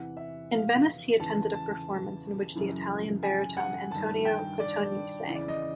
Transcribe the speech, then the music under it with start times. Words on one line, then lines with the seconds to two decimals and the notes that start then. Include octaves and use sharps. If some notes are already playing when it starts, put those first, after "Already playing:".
In Venice he attended a performance in which the Italian baritone Antonio Cotogni sang.
Already playing: E2 C3 E3 F#5
0.17 E5
0.52 F5
1.19 E2 C#3 E3 A5
1.54 A5
2.55 F#2 C#3 E3
3.23 G#5
3.57 F#5
3.91 G2 D#3 A5
4.25 G5
4.60 D5
5.27 E2 C#3 E3
5.35 D5
5.48 D#5